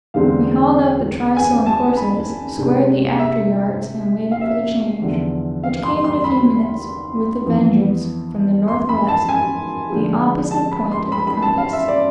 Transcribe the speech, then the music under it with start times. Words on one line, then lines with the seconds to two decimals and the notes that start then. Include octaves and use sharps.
We hauled up the trysail and courses, squared the after yards, and waited for the change, which came in a few minutes, with a vengeance, from the north-west, the opposite point of the compass.
0.14 E2 D3 G#3 C4 F5
1.37 G#5
1.66 A5
1.97 B5
2.58 C3 G#3 D4
3.19 E5
4.31 F5
4.41 E5
5.02 E2 D3 F3
5.63 F5
5.83 C6
6.04 C6
6.24 B5
7.46 F2 E3 B3
8.68 C6
8.89 B5
9.08 A5
9.29 G#5
9.90 D3 F3 G#3
10.51 A5
10.71 B5
10.92 C6
11.12 B5
11.27 B5
11.42 A5
11.58 F5
11.73 E5
11.88 D5